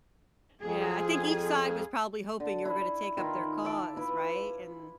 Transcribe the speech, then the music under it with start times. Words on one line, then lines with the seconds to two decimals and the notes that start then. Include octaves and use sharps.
yeah, I think each side was probably hoping you were gonna take up their cause, right? And
0.62 F2 G#4
2.40 D3
2.65 E4
3.17 D#3 E4 F4
3.65 E5 A5 D6
3.97 E4 F4 B4